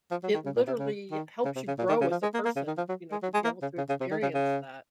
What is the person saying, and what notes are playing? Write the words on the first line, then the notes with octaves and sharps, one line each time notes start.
it literally helps you grow as a person, you know, to be able to experience that.
F3
F#3
D#3
C#3
A#2
C3
C#3
D#3
C#3
C3
C#3
A#2
D#3
C#3
F3
G#3
A#3
A#3
C#3
D#3
F3
F#3
G#3
F#3
G#3
A#3
C#3
C#3
C#3
C3
D#3
C#3
C#3